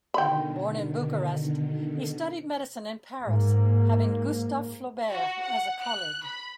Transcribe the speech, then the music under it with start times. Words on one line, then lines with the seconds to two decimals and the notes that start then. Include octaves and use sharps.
Born in Bucharest, he studied medicine in Paris, having Gustave Flaubert as a colleague.
0.14 B2 D3 D#3 G5 B5
3.20 G#2 A#3
5.11 F#4
5.41 F#5
5.81 F#6
6.23 B5